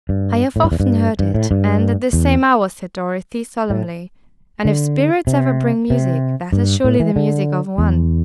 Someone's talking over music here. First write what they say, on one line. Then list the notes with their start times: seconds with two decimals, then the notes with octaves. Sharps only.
'I have often heard it, and at this same hour,' said Dorothee, solemnly, 'and, if spirits ever bring music--that is surely the music of one!'
0.09 G2
0.56 A2
0.64 G2
0.72 E2
0.80 G2
1.19 G2
1.34 A2
1.51 G2
2.13 E2
3.70 A2
4.65 D3
5.27 C3
5.90 C3
6.53 G2
6.84 A2
7.00 E3
7.16 D3
7.78 E2